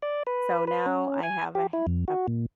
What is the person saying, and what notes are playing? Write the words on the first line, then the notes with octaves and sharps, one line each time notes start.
So, now I have a h a
D5
B4
B4
C#4
G#5
G4
E4
F2
F#4
A#2